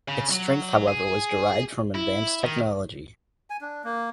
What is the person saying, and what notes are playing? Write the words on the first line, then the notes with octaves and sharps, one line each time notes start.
Its strength however was derived from advanced technology.
C#3
F#3
G#4
E4
D#3
G#5
D4
A#3